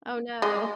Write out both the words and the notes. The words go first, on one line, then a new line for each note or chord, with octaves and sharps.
Oh, no.
G#3